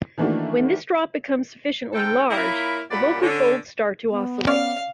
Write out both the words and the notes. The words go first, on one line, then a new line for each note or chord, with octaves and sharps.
When this drop becomes sufficiently large, the vocal folds start to oscillate.
D#3 E3 A3 A#3 D4 F#4
G#2 A4 G5
A#3 E4 F4 A#4 C#5 B5
F#2 A#2 G3 D5 F#5 B5
D3 C#4
B3
C#4 D5 F5 F6